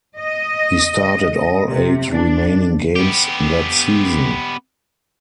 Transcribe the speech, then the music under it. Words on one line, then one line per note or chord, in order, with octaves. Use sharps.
He started all eight remaining games that season.
D#5
C3
D4
B3 G4